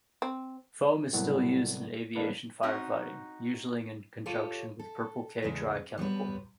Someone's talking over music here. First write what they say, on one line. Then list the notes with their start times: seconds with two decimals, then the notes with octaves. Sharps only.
Foam is still used in aviation firefighting, usually in conjunction with Purple-K dry chemical.
0.22 C4
1.13 C2 A2 F#3 B3
2.15 E3 G#3 A#3 D4 B4 D5
2.63 C4 C#4 D#4 F#4
4.26 F4 G4 A4 C#5
4.79 A4
5.42 E2 A2 C#3 G#3
5.98 F#3 G3 B3 B4